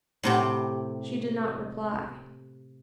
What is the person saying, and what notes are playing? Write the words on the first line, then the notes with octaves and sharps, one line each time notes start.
She did not reply.
A2 C3 G4